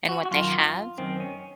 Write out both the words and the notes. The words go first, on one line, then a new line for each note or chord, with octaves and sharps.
and what they have
F#4
F#4
F#2 D#3 F4
F#2 D#3 C4
C#4